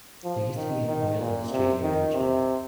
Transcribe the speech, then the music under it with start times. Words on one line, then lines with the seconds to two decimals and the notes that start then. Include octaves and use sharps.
There used to be an oil industry in the region.
0.24 F3
0.56 D#3
0.88 D#3
1.19 A#2
1.51 C3
1.82 D#3
2.13 C3